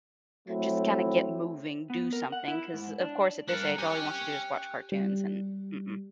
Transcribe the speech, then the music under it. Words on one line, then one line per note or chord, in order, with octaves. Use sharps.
just kinda get moving, do something, 'cause of course at this age all he wants to do is watch cartoons and, mm-mm.
F#3 A3 C4 E4
B3
A#4
F#5
E4
G#2
D4
G2 D4 A#4 F#6 C#7 D7
G4 C#5 G#5
G3